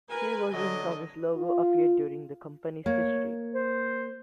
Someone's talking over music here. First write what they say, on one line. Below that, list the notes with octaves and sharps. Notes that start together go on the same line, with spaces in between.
Three versions of this logo appeared during the company's history.
A#4 B4 G#5
D3 F#3 D#5
F4
A#3 C#5
C5